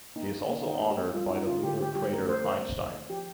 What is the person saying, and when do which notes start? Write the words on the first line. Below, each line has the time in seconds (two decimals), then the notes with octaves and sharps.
He is also honored by the lunar crater "Einstein".
0.16 A#3 D#4
0.33 A#3
0.49 A#3
0.65 D#3 D#4
0.82 A#3
0.90 G4
0.97 A#3
1.14 G3 F4
1.31 G3 D#4
1.46 D3 F4
1.63 D3 G4
1.80 D3 G4
1.96 G3 G4
2.12 A3 A#4
2.29 A3 C5
2.44 D#3 A#4
2.62 C4
2.77 D#3
2.94 D#3
3.10 F3 G4